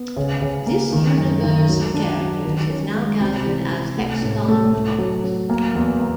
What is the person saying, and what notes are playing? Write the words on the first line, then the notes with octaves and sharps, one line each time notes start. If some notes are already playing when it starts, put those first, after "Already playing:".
This universe of characters is now gathered as Hexagon Comics.
Already playing: B3
C#3
C#3
A#3
D#3
F#2
D#3
F#3
D4
F#3
D#3
C#4
G#3
C3
E3
C3
A3
A2
A3
A3
F#3
F#3
A#3
E2
A#3